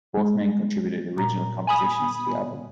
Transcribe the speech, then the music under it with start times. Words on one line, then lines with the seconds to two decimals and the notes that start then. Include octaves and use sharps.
Both men contributed original compositions to the album.
0.17 G#3
1.17 A#2 A#5
1.67 G#5 B5 D#6